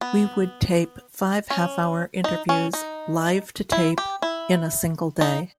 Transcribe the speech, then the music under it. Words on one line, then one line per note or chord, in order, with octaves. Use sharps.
We would tape five half hour interviews live-to-tape in a single day.
B3
C#4
D#4
C#4
D#4
E4
G4
E4
D#4